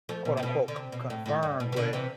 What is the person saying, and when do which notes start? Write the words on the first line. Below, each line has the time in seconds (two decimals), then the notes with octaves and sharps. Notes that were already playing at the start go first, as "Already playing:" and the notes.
quote, unquote, "c confirmed," but
0.09 F3 A3
0.25 B2
0.37 C3
0.43 B2
0.68 D3
0.76 C3
0.92 B2
1.10 A2
1.26 A2
1.43 G2
1.60 B2
1.72 E3
1.76 B2 D3
1.93 C3 E3